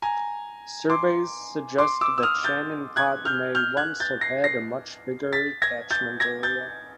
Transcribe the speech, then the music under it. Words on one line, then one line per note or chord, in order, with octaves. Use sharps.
Surveys suggest that Shannon Pot may once have had a much bigger catchment area.
G#5 A#5
C6 D6
C6 D6
D6 E6
E6
D#6 F6
G6 A6
F#6 G#6
F6 G6
F6 G6
F#6 G#6
G6 A6
A#6 C7
A#6 C7
A6 B6
G#6 A#6
G6 A6
G#6 A#6
G6 A6